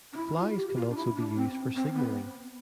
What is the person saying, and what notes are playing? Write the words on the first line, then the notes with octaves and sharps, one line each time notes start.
Flags can also be used for signaling.
D4
E4
F4
G4
F4
D4
E4
D4
C4
C4
B3